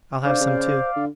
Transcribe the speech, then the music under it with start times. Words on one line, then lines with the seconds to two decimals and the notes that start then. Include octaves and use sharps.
I'll have some too!
0.25 D3 C5 D5 F5
0.41 C#3
0.96 D3